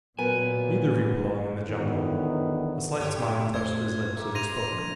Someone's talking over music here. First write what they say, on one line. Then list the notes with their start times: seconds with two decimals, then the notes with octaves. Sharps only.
"Neither of you belong in the jungle." A slight smile touched his lips as he spoke.
0.19 A#2 F#3 B3 A#4 G#5
1.67 E2 D3 D#3 F#3 B3
3.00 G2 G4 C#5
3.22 A3 D#4 E4
3.54 F2 C5 G#6
4.16 G3 A#3 E5
4.35 C6 A#6 D#7 F7
4.72 C2 F3 D4 B4